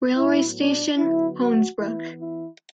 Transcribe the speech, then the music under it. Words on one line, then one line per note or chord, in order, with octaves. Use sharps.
Railway station: Hoensbroek.
A2 F#3 B3 E4
D4
D3 F#3 B3 E4
F#4
E3 B3 E4
E4